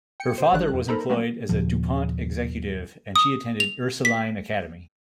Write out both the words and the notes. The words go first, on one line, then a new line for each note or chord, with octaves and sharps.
Her father was employed as a DuPont executive and she attended Ursuline Academy.
G5 C#7
B2 C5
G#1 D3 E3 G3 D4 F#6
F2
D#4 A4 A#4 C5 A#5 B5
F#3 A3 A#3 C4 C#4 F#4
D#2 A#2 C#3 F3
D#6
F7
B6